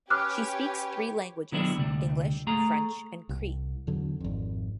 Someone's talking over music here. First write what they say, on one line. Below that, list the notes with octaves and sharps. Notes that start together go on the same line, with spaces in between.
She speaks three languages: English, French, and Cree.
C#4 G4 B4 C#5 D6 F6 F#6
D#3 F#3 B3 C4 D4 E4
D2 C3 G3
A3 G#4 A#5
C2
E2 D3 F#3
G#1 F2